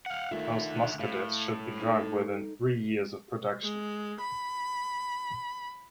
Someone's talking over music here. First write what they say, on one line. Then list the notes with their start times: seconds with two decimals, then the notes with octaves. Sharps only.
Most Muscadets should be drunk within three years of production.
0.06 F5 F#5
0.31 D3 D#3 A3 F4 E5
0.99 A2 F5
1.83 D#4 A4
3.63 G#3
4.21 B5